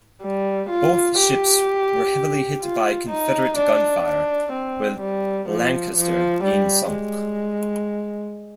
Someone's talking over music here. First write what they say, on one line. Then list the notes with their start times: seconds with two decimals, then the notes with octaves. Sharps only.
Both ships were heavily hit by Confederate gunfire, with "Lancaster" being sunk.
0.22 G3
0.70 F4
1.18 G4
2.62 F4
3.10 D#4
3.57 D4
4.04 D4
4.53 C4
5.00 G3
5.49 F3
5.97 F3
6.44 G3
6.93 G#3